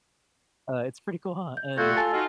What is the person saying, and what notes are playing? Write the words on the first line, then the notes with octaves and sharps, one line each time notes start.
uh, it's pretty cool, ha," and
G6
G3 A3 F4 F#4 A4 G6 G#6
A4 G#5 A5 A6
D#4 F4 F#4